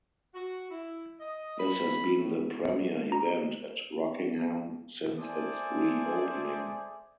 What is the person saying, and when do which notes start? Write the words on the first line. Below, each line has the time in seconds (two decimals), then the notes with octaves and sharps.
This has been the premier event at Rockingham since its reopening.
0.35 F#4
0.70 E4
1.20 D#5
1.59 B5
2.17 A2
3.12 A#5
5.19 G#4 A4 C5 D5 E5 G#5